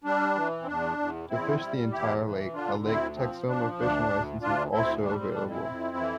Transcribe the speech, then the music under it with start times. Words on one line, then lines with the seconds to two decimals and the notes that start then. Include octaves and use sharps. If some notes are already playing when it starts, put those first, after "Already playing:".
To fish the entire lake, a Lake Texoma fishing license is also available.
0.04 G3 D4
0.35 E3
0.62 C4
0.67 E2 D4
0.98 E2
1.30 E2 C4 E4
1.60 G3
1.91 E2 E4 G4
2.23 E3
2.53 D3 D4 F4
2.85 D2 C4 E4
3.16 F3 C4
3.47 F3 D4
3.79 D2 D4
4.10 D2
4.41 D2 D4 F4
4.72 D2 C4 E4
5.03 G3 D4
5.19 C4
5.34 F2 D4
5.50 C4 E4
5.65 F2
5.97 E3